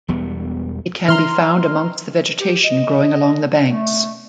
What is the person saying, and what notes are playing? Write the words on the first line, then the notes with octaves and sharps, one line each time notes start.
It can be found amongst the vegetation growing along the banks.
E1 E2 G3 B3
E3 A#5 C6 F6
G4
D#5
A3